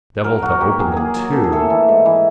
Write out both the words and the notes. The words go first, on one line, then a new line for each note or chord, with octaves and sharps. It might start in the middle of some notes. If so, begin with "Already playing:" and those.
Devil to open them too.
F#3 A#4
F#3 F#4
A#3 G4
F#3 G#4
A#3 G#4
F#3
A#3 A4
G#4
A2 A4
E3
G#2
E3